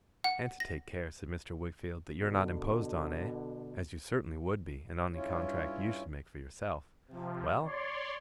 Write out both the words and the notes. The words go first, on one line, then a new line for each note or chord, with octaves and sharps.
'And to take care,' said Mr. Wickfield, 'that you're not imposed on, eh? As you certainly would be, in any contract you should make for yourself. Well!
F#5
A#6
B2 D3
G2 C#4 E4 F4 C#5
C3 F3
C#5 D5 C6